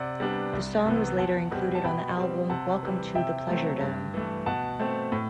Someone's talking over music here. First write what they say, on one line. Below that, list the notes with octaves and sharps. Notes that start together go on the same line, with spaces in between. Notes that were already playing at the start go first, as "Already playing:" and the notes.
The song was later included on the album "Welcome to the Pleasuredome".
Already playing: C3 D5 F#5
G3 B3 D4
C2
C3 E3 B3
E2 F#5 A5
B2 G3 C4
A5
B2 G5 B5
G3 C4
C3 F#5 A5
E3 G3
C3 E5 G5
F#3 A3 C4
G2
E3 A3
B2 F#5 A5
A3 C4
A2